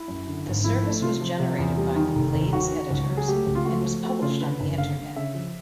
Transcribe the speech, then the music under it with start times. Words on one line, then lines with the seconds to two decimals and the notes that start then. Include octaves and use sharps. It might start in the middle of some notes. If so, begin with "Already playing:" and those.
The service was generated by the "Blade"s editors and was published on the internet.
Already playing: E4
0.08 F#2
0.27 D3
0.46 G#1
0.64 F3 E4
0.83 A3
1.02 C3 F4
1.21 F3
1.40 C3
1.59 E2
1.78 G3
1.96 D#3
2.15 F1
2.34 D#2
2.53 D#3 F#4
2.72 D#3
2.91 C#2
3.09 F#3
3.17 G#4
3.28 A3 G4
3.46 C#2
3.55 F4
3.65 A3 F#4
3.84 F3
4.03 A3 F#4
4.22 C#3 F4
4.41 D3 B4
4.60 F#1
4.78 D3 F5
4.97 D3
5.16 C#3 E5
5.35 F3